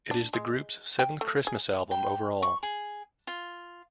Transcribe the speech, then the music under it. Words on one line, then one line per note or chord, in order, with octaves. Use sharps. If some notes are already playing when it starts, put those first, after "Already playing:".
It is the group's seventh Christmas album overall.
D4
G#3
G5
A3
G#4
G5
C#6
G#4
F4